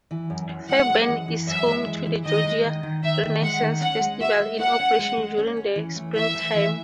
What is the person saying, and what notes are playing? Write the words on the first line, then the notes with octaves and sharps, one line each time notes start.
Fairburn is home to the Georgia Renaissance Festival, in operation during the springtime.
E3
F#2
F#2
G#3 F#5
F#2
E3
E3
F#2 E5
G#3
E3
E3
D#3 D#5
G#3
D#3
D#3
D#3 E5
D#3
G#3 F#5
D#3
C#4 F#5
G#3
F#4 E5
G#3
F#4 F#5
C#4
G#3
G#3
C#4
C#4
E3
A3
E3 E5
A3
E3